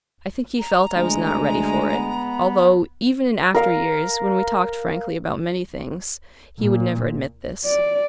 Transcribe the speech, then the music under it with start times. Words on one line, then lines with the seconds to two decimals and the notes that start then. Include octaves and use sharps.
I think he felt I was not ready for it, although even in after years, when we talked frankly about many things, he would never admit this.
0.59 A#5
0.96 D2 G#3
1.94 B3
3.55 A#4 F5
6.58 A#2
7.65 D5